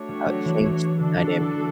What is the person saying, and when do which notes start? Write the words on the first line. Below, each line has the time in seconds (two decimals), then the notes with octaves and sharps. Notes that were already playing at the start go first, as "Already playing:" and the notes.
uh, changed the dynamic,
Already playing: A3 D4 F#4 C#5
0.09 G3
0.26 F#3
0.45 E3
0.99 D3 D4 F#4 A4
1.14 E3
1.27 F#3
1.41 E3
1.54 A3